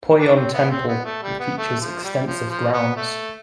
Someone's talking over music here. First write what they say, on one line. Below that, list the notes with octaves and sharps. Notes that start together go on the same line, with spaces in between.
Pohyon temple features extensive grounds.
D4
C4
B3
C4
B3
A3
G3
B3
A3
F3
G3
F3
F3
B3
A3